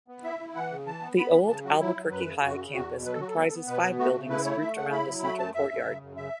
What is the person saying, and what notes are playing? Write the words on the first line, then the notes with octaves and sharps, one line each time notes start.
The Old Albuquerque High campus comprises five buildings grouped around a central courtyard.
B3
E4 E5
E4
E3 F#5
C#3
E3 A5
B3
B3 B5
E3
C#3 A5
F#3 F#4
F#3 E4
F#3
F#2 B4
C#3
F#2 F#4
C#3
E2 F#4
B2
F#3 B4
A4
F#3 F#4
A4
B3
B3
B2 B4
B3
A3 F#4
C#3
E4 B4
A3 C#5
A3 E5
C#3 F#5
E4 B5
F#3
A3 B5
F#2 A5
F#2 E5
F#2
C#3
F#2
C#3 E5